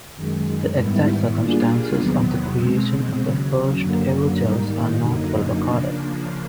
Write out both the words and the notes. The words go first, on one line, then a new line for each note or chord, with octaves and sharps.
The exact circumstances of the creation of the first aerogels are not well recorded.
F#2 D#3 G#3
G#2 D#3 G3 B3 E4
G3 A#3 D4 F4 G#4
E2 C3 D#3 F#3 B3
B2 G#3 C4
D#2 C#3 F#3
F#2 D3 F#3 A#3
G#2 D#3 G3 A#3 D#4
F#2 D3 F#3 A#3 D#4
C#3 F3 A#3 D4